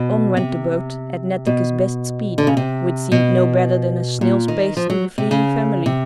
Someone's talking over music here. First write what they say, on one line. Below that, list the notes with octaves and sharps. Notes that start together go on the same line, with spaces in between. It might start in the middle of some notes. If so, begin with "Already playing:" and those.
On went the boat at Netteke's best speed, which seemed no better than a snail's pace to the fleeing family.
Already playing: B2
C3
B2
D3
C#3
C3
B2
A#2
D#3
F3
F#3
C3
C#3
C3